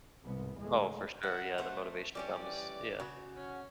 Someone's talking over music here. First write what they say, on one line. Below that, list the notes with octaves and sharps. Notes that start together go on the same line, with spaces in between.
I oh, for sure, yeah. The motivation comes, yeah.
C2 G#2 B3
E2 A#2 D3 G#3 A3
E4 F#5
A3 C5
E3 G3 C#4 G4 D5
C#3 F#4
C#4